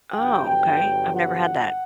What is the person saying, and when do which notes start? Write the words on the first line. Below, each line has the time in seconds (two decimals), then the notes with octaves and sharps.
Oh, okay, I've never had that.
0.12 G1 G2 F#3 G5
1.16 F#5